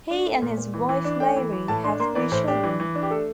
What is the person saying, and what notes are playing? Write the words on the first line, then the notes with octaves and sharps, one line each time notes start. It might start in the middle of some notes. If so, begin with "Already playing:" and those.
He and his wife Mary have three children.
D4
A3
A#2
A#2
E3
E3
D4
A3 G5
E3
E3
A2 A5
D4 C6
A#3 C6
E3 D5
A2 C5
D4 G4
E3
E3
D4
G4
A3 A4